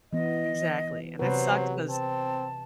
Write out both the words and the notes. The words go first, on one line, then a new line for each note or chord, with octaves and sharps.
Exactly, and it sucks 'cause
E3 B3 D#5
C3 F#3 B4 C5
C4 A5